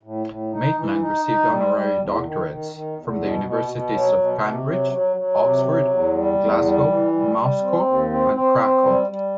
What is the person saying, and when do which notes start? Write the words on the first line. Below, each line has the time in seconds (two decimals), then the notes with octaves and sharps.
Maitland received honorary doctorates from the universities of Cambridge, Oxford, Glasgow, Moscow and Cracow.
0.03 A2
0.27 A2
0.52 D#4
0.76 E3
1.01 D#4
1.25 D#4
1.49 G3
1.74 G3
1.99 E2
2.23 D#3
2.48 D#3
2.72 D#3
2.96 E2
3.21 B2
3.45 B2
3.70 B2
3.94 F#3
4.19 B2
4.43 C3
4.67 F#3
4.92 F#3
5.16 F#3
5.41 C3
5.65 F#3
5.90 E2
6.14 G3
6.39 E2
6.63 G3
6.87 E3
7.12 G3
7.36 G3
7.61 C4
7.85 D#2
8.10 C4
8.34 C4
8.59 C4
8.83 G3
9.07 G3